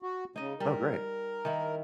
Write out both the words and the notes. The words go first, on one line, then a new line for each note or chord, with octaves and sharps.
Oh, great.
F#4
C#3 D#4 D#5
G3 A#4
D#3 E4